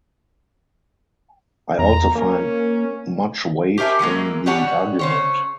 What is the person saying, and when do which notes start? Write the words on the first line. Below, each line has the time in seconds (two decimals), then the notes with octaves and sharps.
I also find much weight in the argument.
1.79 E2 A#5
2.15 A#3 C#4
3.78 G4 A#4 C5 E5 G#5
3.99 E3 F#3 G#3 A#3
4.46 G3 B3 C#5 F#5 G#5
4.99 C#3 C5 C#5